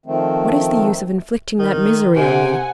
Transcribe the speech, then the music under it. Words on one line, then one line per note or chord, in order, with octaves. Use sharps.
What is the use of inflicting that misery on me?
D#3 F3 A3 C4
D#3
C3 F#5 G#5